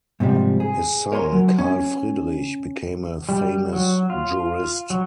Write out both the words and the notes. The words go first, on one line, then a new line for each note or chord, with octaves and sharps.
His son, Karl Friedrich, became a famous jurist.
G#2 C3 F3 G3
G#4
A#4 C#5 G#5 B5 C6
F#3
C#4
G3
F#3
F4
F#3